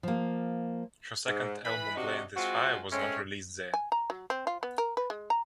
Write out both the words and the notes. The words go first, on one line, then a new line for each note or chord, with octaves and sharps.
Her second album "Playin' With Fire", was not released there.
F3 A#3
G#2
E3 B4 B5
C3 D4 D#4 F#4
G#3 C4 F4 F#4
G#3 A3 C4 C#4
G#5
A#5
F#3
C4
F4
B3
A#4
B4
G#3
A#5